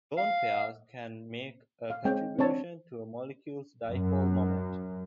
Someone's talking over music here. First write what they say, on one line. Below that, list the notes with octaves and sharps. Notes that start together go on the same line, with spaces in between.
Lone pairs can make a contribution to a molecule's dipole moment.
F5
F5
G#3 C4 C#5 G5
C4 D4 C#5 A5
F#2